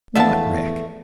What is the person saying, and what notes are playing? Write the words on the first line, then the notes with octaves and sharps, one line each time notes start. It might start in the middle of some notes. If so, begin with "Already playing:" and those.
"What wreck?"
E2 F3 A3 B3 D4 E5 A5